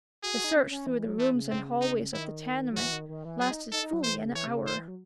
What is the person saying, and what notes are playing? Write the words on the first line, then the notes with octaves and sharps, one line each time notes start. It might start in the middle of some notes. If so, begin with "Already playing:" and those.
The search through the rooms and hallways of the tenement lasted fully an hour.
F#4 G#4
F#4
D#4
C#4
C#4
E3
F#3
E3 A3
C#3
C4
D#4
D#3 E4
F#3
E3 F#4
D#3
D#3
E3
F#3 G#4
D#4
D#4 A4
D#4
F#3
E3 C5
D#3
C#3
E3 C#5
C3
C#3
D#3 C5
E3
F#3